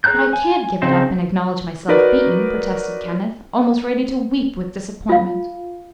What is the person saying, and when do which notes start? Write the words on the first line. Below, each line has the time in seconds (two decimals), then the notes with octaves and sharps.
"But I can't give it up and acknowledge myself beaten," protested Kenneth, almost ready to weep with disappointment.
0.04 G#4 C#5 A#5 F#6 G6
0.33 G#5
0.82 C#3 C4 D#4 C5
1.88 D#4 F#4 A#4 B4 C#5 D5
5.09 F4 F5